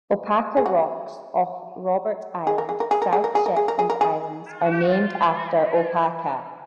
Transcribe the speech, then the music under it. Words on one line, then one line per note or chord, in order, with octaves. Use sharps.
Opaka Rocks off Robert Island, South Shetland Islands are named after Opaka.
G#4
F#4
G#4
A#4
G#4
A#4
G#4
A#4
G#4
A#4
G#4
A#4
G#4
A#4
G#4
A#4
G#4